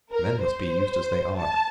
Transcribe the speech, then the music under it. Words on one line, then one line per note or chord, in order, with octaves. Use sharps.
Men must be used as they are.
A#4
C5
A5